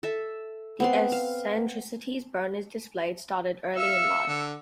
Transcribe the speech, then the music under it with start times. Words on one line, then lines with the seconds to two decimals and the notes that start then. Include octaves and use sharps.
The eccentricities Berners displayed started early in life.
0.03 A4 E5
0.80 B3 C4 C6
1.12 F5
3.76 E5 F5 E6 C#7
4.27 D3